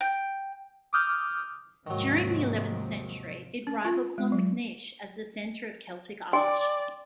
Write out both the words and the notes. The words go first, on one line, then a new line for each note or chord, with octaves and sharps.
During the eleventh century, it rivaled Clonmacnoise as the centre of Celtic art.
G5
D6 D#6 F6 G6
D#2 G#2 C3 D#3 F3 F#3
C#4
F4
G#3
F#3
D5 G5 G#5 C6